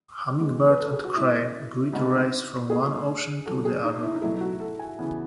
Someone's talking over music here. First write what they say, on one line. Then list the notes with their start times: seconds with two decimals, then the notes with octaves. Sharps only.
Hummingbird and Crane agree to race from one ocean to the other.
0.40 E3 G#3 B3
0.69 B4
0.80 A4
0.93 G#4
1.05 F#4
1.16 B2 G#3 C#4 E4
1.93 C#3 G#3 B3 D#4 F#4
2.70 B2 A3 D#4 F#4 G#4
3.46 C#3 F#3 C#4 F#4 A4
3.65 G#4
3.84 D#4
4.03 E4
4.15 D#4
4.21 B2 F#3 A3 E4
4.41 F#4
4.60 A4
4.79 G#5
4.99 C#3 E3 B3